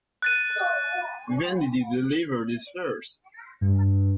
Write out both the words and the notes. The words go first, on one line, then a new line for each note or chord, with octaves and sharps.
When did you deliver this first?
F#6 A6 D#7
G2